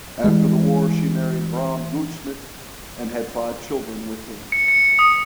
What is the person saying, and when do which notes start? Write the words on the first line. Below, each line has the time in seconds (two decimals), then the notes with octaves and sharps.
After the war she married Bram Goudsmit and had five children with him.
0.24 E3 G3 G#3
4.52 C#7
4.68 C#7
4.99 D#6